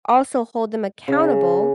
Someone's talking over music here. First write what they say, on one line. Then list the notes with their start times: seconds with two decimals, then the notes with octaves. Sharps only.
also hold them accountable
1.08 C#3